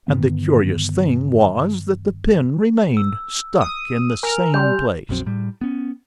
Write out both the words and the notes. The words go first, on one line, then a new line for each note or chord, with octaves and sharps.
And the curious thing was that the pin remained, stuck in the same place.
G2 D3 D#3 B3
E6
D#6
A#4 G#5 F6 F7
G3 C6 G6
A#1 F2 F#3 C4
A2 G3
B3 C#4